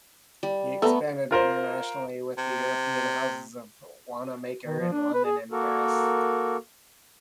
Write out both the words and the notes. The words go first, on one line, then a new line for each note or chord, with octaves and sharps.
He expanded internationally with the European Houses of Wanamaker in London and Paris.
G3
A3 B3 A4 A5 A#5
F4 A#4 C5
C3
D#3
F3
D4
B4
G#4
A#3 F#4 A4 A#4